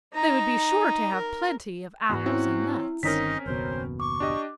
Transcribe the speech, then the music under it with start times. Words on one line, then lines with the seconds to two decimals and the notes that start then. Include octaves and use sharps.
They would be sure to have plenty of apples and nuts.
0.13 D#4 A#5
1.13 A#4
2.10 E2 G#2 B3 F#4
2.26 C4 C#4 E4
3.03 G1 D#3 C4 C#4 D#4 A#4 B6
3.46 F#1 D#2 B2 C5
4.00 C#6 D6
4.20 D4 G4 D#5